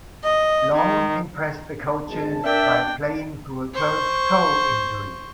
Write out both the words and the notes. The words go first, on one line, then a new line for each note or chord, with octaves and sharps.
Long impressed the coaches by playing through a turf toe injury.
D#5
D#3
G#1 G#3 A5
D4 A#4 D5 E5 G5
C5 C#6